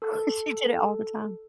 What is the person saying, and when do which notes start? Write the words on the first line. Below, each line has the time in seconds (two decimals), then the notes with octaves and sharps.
Well, she did it all the time.
0.02 A4